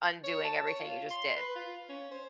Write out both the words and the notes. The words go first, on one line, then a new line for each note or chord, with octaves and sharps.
undoing everything you just did.
C#5
A5
C#5
F4
C6
B4
F4
C#4
C5